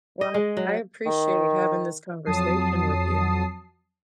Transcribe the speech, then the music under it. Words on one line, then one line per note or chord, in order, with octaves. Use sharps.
Well, I I appreciate having this conversation with you.
D#5
G#3
F#3
D#3
F2 F#3 A5 D#6 C7